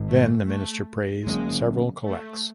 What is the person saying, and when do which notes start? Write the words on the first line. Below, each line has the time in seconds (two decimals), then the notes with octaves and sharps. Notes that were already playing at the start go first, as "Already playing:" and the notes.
Then the minister prays several collects.
Already playing: G#2 D#3 G#3
0.11 A3
0.49 A3
1.27 D3 F#3 G#3 A#3 C#4
2.05 A3